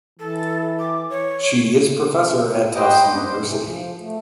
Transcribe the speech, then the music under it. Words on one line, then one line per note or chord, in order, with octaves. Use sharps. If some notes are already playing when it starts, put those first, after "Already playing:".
She is professor at Tufts University.
E3 A4
D6
C#5
G4 B4 C5 D#5 G5
B3 D4
C5
C3 E3
F3
A3